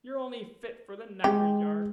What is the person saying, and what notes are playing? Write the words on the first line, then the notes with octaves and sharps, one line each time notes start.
You're only fit for the knacker's yard.
G#3 G4